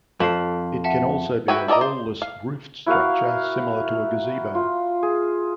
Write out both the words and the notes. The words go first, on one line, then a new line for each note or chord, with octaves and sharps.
It can also be a wall-less, roofed structure, similar to a gazebo.
F2 A4 A5 C7
E5 F#5 A5
F#4 B4 E5 G5 G#5
E4 A4 D5 D#5 A#5
C5
F5
E4 F#4 A#4 F5
F4
G#4